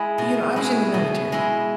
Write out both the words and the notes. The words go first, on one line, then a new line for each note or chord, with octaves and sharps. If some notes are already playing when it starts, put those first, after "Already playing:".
you know, I was in the military
Already playing: G#3 E4
B2
G#3 E4
B2
G#3 E4